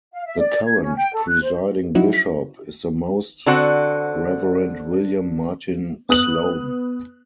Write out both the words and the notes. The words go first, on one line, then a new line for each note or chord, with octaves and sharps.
The current presiding bishop is the Most Reverend William Martin Sloane.
F5
E5
D5
G#6
C#4
G5
A4
F#6
C5
F3 F#3 C#4 D#4 E4 F#4
D3 C4 F#4 F#5
B3 D#6 F#6 F#7